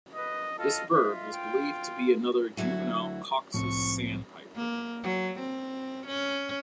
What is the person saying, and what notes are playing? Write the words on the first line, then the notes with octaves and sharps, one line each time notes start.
This bird was believed to be another juvenile "Cox's sandpiper".
B4 D#5
F4 A4 D#5 F6
F4 D#5 E5
G5
D2 F#3 E4 F#4
C2 A2 F3 C4 C#6
A#3
F#3
C4
C#4